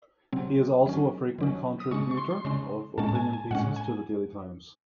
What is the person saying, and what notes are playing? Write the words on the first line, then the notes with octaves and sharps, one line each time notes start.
He is also a frequent contributor of opinion pieces to the Daily Times.
C3 F#3 C4
D#3 F#3 C#4
D#3 F#3 C#4
D#6
C#3 G#3 C#4 C#6
C#6
C6
C6
C#3 G#3 C#4 C6
A2 G#3 C#4 A5
A5
G#5
G#5
A2 G#3 C#4 F#5
G#5